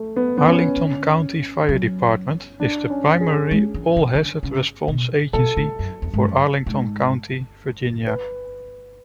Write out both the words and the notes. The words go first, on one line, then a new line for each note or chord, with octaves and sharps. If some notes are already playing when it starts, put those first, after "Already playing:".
Arlington County Fire Department is the primary all-hazards response agency for Arlington County, Virginia.
Already playing: A3
B3
B3
C#4
D3
F#3
D4
C#4
G#4
G#3
E3
E3
E3
D3
C#3
B2
B2 A4
A2
F#2
E2
G#2
F#2
A2
G#2
B4